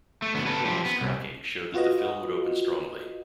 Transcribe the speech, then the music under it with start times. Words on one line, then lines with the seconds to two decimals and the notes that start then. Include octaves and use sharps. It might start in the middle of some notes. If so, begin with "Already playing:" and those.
Pre-release tracking showed that the film would open strongly.
0.22 A3
0.35 D2 B3
0.46 A4 B4
0.65 F3 G4
0.85 B3
1.01 C2
1.74 F4 F#4 B4 D#5